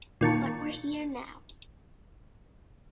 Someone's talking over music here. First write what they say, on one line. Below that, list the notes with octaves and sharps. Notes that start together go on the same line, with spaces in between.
But we're here now.
A#2 D#3 A5 C#6